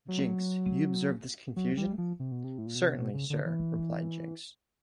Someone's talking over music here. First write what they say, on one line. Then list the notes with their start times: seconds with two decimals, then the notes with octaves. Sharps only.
'Jinks, you observe this confusion?’ ‘Certainly, Sir,’ replied Jinks.
0.08 F#3
1.56 F#3
1.77 G3
1.98 F3
2.20 C3
2.32 B2
2.44 C3
2.58 A2
2.66 A#2
2.75 B2
2.83 C3
2.98 B2
3.14 C#3
3.30 D3
3.46 E3